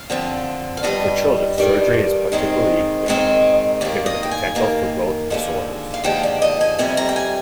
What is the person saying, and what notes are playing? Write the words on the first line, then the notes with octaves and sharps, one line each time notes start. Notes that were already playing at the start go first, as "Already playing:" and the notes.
For children surgery is particularly difficult, given the potential for growth disorders.
Already playing: F5
D3 F3 C4
F5
G2 D#3 G3 D4 D#5
G2 D#3 G3 D4
G#2 D#3 G#3 C4 D#4
G#2 D#3 G#3 C4 D#4
D#2 D#3 A#3 D5
D#5
G5
G#5
D#2 D#3 A#3
D#2 D3 F3 G#3
F5
D#2 D3 F3 G#3 G5
D5
D#5
G#5
F2 C3 G3 G#5
A#5
G5
G#5